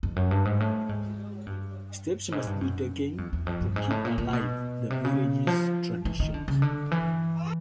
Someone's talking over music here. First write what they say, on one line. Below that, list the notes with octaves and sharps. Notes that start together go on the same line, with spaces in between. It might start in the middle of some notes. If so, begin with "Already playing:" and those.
Steps must be taken to keep alive the village's traditions.
F2
F#2
G2
G#2
A2
G#2
G2
G#2
G2
F#2
F2
E2
F2
G2
G#2
A2
A#2
A#2
B2
C3
C#3
F3
E3
D#3
D3
C#3
D3
E3